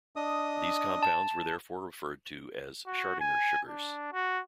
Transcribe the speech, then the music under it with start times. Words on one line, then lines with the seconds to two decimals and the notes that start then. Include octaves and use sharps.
These compounds were therefore referred to as "Schardinger sugars".
0.16 D4 D#5 D#6
1.03 A5
2.87 F#4
3.20 G#5
3.69 D4
4.13 F#4